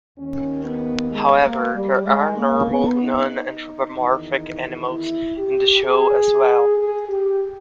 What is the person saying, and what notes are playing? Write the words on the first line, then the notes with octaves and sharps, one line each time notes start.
However, there are normal, non-anthropomorphic animals in the show as well.
D#2 D#3 C#4
B3
G#3
A#3
G3
G#3
A#3
B3
D#4
E2 D#3
E4
G4
G#4
G#4
G4